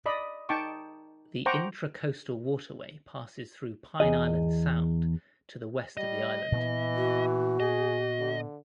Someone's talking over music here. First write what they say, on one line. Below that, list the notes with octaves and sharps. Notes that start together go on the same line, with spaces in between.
The Intracoastal Waterway passes through Pine Island Sound, to the west of the island.
D5 D#5 B5
D#4 G5 A5 C#6 D6
C5 F#5 G5 A#5 C#6 D6
E2 G#4 D#5
G3 D#5
A#2 E3 B3
F#4
G#4 D#5
D3